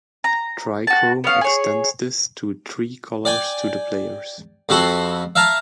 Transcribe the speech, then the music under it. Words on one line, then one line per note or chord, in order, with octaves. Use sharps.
Trichrome extends this to three colors to the players.
A#5
F#4 A5
B3 C#4 F5
G#4 C#5
D5 G5 G#5
F2 C4 F#4 A4 B5 C6
E5 F5 A5 A#5